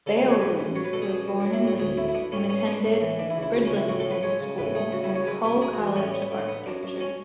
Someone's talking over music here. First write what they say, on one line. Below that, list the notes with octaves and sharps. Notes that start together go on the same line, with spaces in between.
Bayldon was born in Leeds and attended Bridlington School and Hull College of Architecture.
C#3 A4
B4
F#2
C#5
G#2 B4
A1
F#3 C#5
B4
B2 A4
G#4
F#2
F#2
F#3 D4
E4
A2 F#4
D2 G#4
D2 E4
E4
B3 D4
A2 C#4
B3 C#4
C#4
B3 D4
A2
E3
E3 D4
E4
C#2
E4
C#2 F#4
C#4
C#2
E4
A2 F#4
A4
A2
B4
G#3 C#5
C#3
A2 B4
A3 G#4
C#3 F#4
E4
F#2
C#5
G#3 B4
B2 B4
G#3 G#4
F#4
E2
A2 C#4
B3
A2
B3
F#2 D4
F#2
C#4